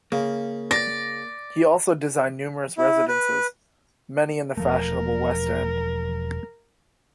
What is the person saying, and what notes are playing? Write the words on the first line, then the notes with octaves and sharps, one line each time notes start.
He also designed numerous residences, many in the fashionable West End.
C#3 A#3
D5 A#6
E4
B4
E1 F3 A3 A#4